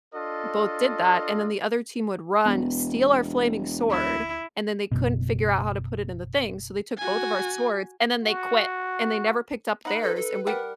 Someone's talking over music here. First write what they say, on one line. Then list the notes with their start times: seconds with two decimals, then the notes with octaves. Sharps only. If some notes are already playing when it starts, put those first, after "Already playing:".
both did that, and then the other team would run, steal our flaming sword, and then they couldn't figure out how to put it in the thing, so they took both of our swords, and then they quit, and they never picked up theirs, and we
0.14 D4 F4 A4 D#5
2.46 E1 B3
3.89 D2 E4 G#6
4.92 F#1 B2
6.98 F#4 G#5
8.23 F#4
9.85 D#4 F#5 B5
10.02 A4 B4
10.16 A4
10.47 G3 A#4 F#5